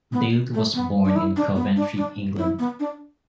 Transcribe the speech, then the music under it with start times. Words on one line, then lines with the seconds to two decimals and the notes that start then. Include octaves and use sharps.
Dale was born in Coventry, England.
0.13 B3
0.54 A3
0.75 B3
1.05 D4
1.16 E4
1.37 D4
1.56 B3
1.76 D4
1.97 D4
2.38 E4
2.59 B3
2.80 D4